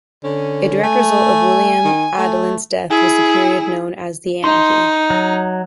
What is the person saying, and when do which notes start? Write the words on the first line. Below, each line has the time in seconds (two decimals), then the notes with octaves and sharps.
A direct result of William Adelin's death was the period known as the Anarchy.
0.24 D3 C#4
0.83 A3 G#5
1.84 D#3
2.17 A3
2.90 E4 G#4
4.44 D#4 C6
5.10 F#3